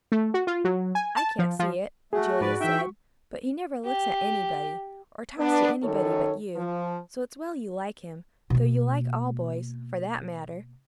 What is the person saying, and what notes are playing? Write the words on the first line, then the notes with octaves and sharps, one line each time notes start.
"I can't see it," Julia said, "but he never looks at anybody, or talks to anybody but you, so it's well you like him; though you like all boys, for that matter!"
A3
F#4
F4
F#3
G#5
A5
F3
F3
A3 F#4 G#4
G#2 B4 D5
E3 D#4 E5 G5
F#4 C#6
G4
B3 D4
F#2 D#3 A4 C#5
F3
B2 A#3